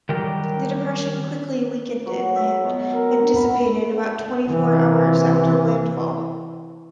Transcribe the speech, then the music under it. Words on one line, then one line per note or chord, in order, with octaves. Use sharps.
The depression quickly weakened inland, and dissipated about twenty-four hours after landfall.
D#3 F#3 G3 G4 A#4
F#3
E5
B2
A#4
D3
B5
C3 E3